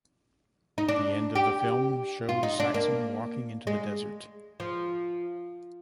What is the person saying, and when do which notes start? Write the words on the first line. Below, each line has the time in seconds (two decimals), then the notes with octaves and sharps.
The end of the film shows Saxon walking into the desert.
0.78 D#4
0.89 D4
1.35 G4
2.29 F4
2.43 D#4
2.60 D4
2.74 A#3
3.67 G#3
4.60 F3